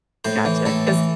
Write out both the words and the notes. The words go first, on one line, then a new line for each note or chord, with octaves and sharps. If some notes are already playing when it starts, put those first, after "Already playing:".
Gotcha, 'cause
A2 C5
E3
A2 A4
E3